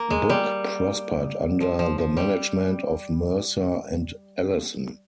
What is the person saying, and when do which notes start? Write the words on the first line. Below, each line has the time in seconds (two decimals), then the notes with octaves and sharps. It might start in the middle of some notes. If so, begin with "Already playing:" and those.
Book prospered under the management of Mercer and Allison.
Already playing: A#3
0.10 G#3
0.30 G3
1.60 F3
1.79 F3
1.98 F3
2.17 G3